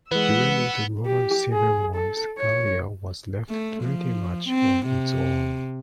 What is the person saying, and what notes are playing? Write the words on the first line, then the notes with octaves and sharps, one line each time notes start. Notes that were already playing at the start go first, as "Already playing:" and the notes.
During the Roman civil wars Gallia was left pretty much on its own.
E3 G#3 B3 B4 F#5 E6
G4
G#4
A4
C#5
A3
F3
C4
C3